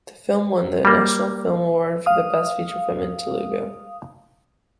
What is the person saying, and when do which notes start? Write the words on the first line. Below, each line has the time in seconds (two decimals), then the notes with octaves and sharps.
The film won the National Film Award for Best Feature Film in Telugu.
0.85 G3 A#3
2.06 F5 D#6